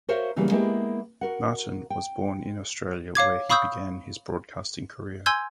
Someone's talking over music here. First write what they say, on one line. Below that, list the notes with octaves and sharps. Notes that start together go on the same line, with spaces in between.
Martin was born in Australia where he began his broadcasting career.
F#4 A#4 C5 C#5 E5 F5
C#3 E3 G3 A#3 B3 F#4
G#3 A#3 B3 E4 G4
F#4 A#4 F#5
G5
C#5 F5 D6 G#6
F5 B5 C#6 D#6 E6 G6
G#5 C6 E6 G6 G#6